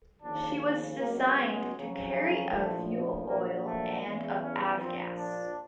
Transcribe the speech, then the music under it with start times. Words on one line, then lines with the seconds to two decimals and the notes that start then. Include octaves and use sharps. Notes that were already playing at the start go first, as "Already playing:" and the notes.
She was designed to carry of fuel oil and of Avgas.
0.21 D#2 C#3 F3 D4
0.97 C#2 B2 F#3 A#3
1.36 G#3
1.74 F2 C#3 F#3
2.49 A#1 A2 F3 A3
3.26 A#1 A#2 F#3 A#3
3.65 A3
4.03 E2 C#3 E3
4.41 C#4
4.79 A#1 A#2 F3 C4
5.16 D4